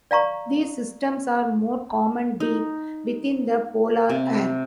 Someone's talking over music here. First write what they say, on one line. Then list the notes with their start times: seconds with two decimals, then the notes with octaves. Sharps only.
These systems are more common deep within the polar air.
0.11 D5 F5 A#5 C#6
2.40 D#4
4.10 C3